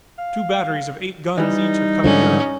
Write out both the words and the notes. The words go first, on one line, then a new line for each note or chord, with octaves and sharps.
Two batteries of eight guns each have come nearer.
F5
E3 G3 D#4
G#2 D3 F3 C#4